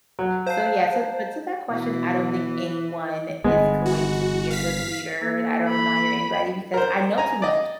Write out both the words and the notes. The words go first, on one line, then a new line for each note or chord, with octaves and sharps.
So yeah. So but to that question, I don't think anyone is going to be a good leader, and I don't admire anybody because I know too much.
F#3
C5 F5 A5 C7
B2 E3
G1 G#3 B3
F#4
F5 B6
A#3 A4 E6
B5
A#4 C5
G#5 A#5
D5 D#5